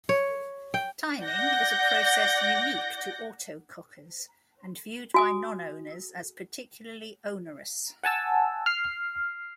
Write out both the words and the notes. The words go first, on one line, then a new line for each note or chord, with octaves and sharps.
Timing is a process unique to Autocockers, and viewed by non-owners as particularly onerous.
C#5
G5
D5 F#5 G6 A#6
F#4 G#5 D#6
F#5 G#5 A5 E6
F6 C7